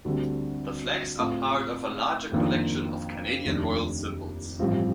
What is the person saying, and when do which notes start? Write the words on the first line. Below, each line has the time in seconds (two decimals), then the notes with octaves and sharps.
The flags are part of a larger collection of Canadian royal symbols.
0.05 D2 D3 G3 C4
1.19 A2 A3 C4 F4
2.32 F2 D#3 A#3 D4 F4
3.45 F1 D#2 D#3 A3 D4
4.59 A1 G2 F3 C4 F4